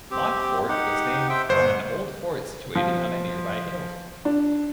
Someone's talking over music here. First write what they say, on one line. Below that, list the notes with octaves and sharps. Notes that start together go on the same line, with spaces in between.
Montfort was named from an old fort situated on a nearby hill.
C4 G4
D#4 G4 F#5
C5 E5 G5
G1 C5 F#5
F3
D4